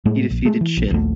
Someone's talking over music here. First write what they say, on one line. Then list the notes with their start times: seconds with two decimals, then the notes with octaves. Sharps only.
He defeated Shinn.
0.05 A2 G#3 A3
0.30 A#1
0.45 G#3 A3
0.61 E3
0.77 A#1
0.91 A#1 D#2 A3